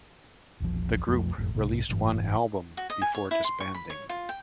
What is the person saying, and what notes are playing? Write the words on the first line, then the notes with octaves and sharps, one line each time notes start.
The group released one album before disbanding.
E1 A#1 F3
B1 F2 F3 A3
G1 F2 A2
B1 G#2 C3
F#1 G#2 E3
F#4
D#5
G#5
C#5
E4
C6
C#6
B5
C#5
F4
G5